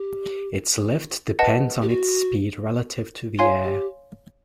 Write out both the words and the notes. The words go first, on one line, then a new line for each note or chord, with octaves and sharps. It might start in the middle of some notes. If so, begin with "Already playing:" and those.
Its lift depends on its speed relative to the air.
Already playing: G4
B4 D#5 F#5 A5
G4
F#4
F4 C#5 F5 G#5 C6
G4